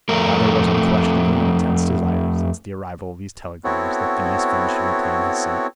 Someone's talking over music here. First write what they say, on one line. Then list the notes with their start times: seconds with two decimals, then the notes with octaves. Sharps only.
Now there was unquestionably an intense desire,--since the arrival of these telegrams,--that Phineas Finn should retain his seat.
0.09 F2 A3 A#4
3.64 B3 C4 E4 F#4 A4 C#5